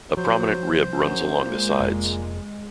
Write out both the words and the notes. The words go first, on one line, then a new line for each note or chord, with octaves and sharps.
A prominent rib runs along the sides.
F3 F#3 C5
F#2
A#2 G#3
F1